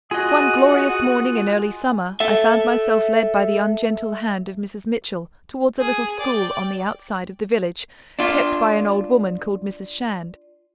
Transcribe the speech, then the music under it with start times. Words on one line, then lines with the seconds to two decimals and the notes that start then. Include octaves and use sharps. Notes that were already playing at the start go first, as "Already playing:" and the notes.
One glorious morning in early summer I found myself led by the ungentle hand of Mrs. Mitchell towards a little school on the outside of the village, kept by an old woman called Mrs. Shand.
0.11 F4 F#4 G#4 D#5 D#6 F#6
2.20 A4 E5
5.80 G#4
6.19 D5 G5
8.19 D4 F4